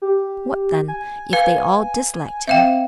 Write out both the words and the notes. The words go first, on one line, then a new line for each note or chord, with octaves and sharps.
"What, then, if they all disliked him?"
G4
G#5
B4 F5 G#5
C4 E5 F5 G5